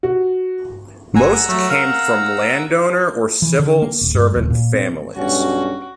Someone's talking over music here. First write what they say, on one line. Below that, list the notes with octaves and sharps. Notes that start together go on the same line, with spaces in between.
Most came from landowner or civil servant families.
F#4
G1 F#5 G#5 A#5 E6
F#3 A3
A#4 F5
E3
D3
A#3
D#1
G2
D#1
A#2
C4
B1 G2 C#4 F#4